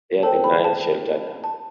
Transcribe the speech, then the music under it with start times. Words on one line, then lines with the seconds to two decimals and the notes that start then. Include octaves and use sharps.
There the knights sheltered her.
0.23 A4 C5 G5 A5
0.44 B5
0.64 A5
1.44 A5